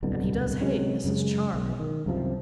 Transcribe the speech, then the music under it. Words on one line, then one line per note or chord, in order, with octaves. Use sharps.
And he does hate Mrs. Charley.
D1 C2 B2 D3
C3 F#3 G#3 C#4
F#2 C#3 G#3
B1
D#3
C2 F#2 C3 F3